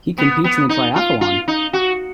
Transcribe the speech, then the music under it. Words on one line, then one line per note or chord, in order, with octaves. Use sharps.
He competes in the triathlon.
B3
B3
D#4
F4
F4
D#4
F#4